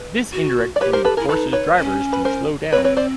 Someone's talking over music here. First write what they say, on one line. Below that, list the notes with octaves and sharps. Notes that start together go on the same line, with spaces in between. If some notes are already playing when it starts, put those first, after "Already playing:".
This indirectly forces drivers to slow down.
Already playing: B4
F#4
D5
G4 B4 C#5
A#4 C5
A4 B4
E4 G#4 A#4
D#4 A4 B4
B4 C#5
C#4
B4
A#4 C5
C4 B4 C#5
B4 C#5
C5 D5